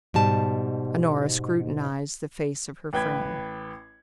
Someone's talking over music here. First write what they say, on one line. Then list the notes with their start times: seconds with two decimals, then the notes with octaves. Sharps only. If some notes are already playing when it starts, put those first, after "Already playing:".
Honora scrutinized the face of her friend.
0.14 G#2 B2 G3 A5
2.93 A1 B4 G5 B5 G#6